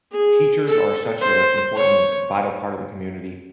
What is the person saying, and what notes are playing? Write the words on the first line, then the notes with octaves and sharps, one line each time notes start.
teachers are such a important, vital part of the community,
G#4
A4
C5
C#5